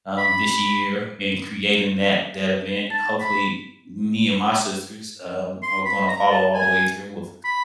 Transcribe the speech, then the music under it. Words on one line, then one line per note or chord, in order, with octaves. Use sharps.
um, this year in creating that that event. Hopefully me and my sisters, um, are gonna follow all the way through with
B5
A5
B5
C6
B5
A#5
A5
G#5
B5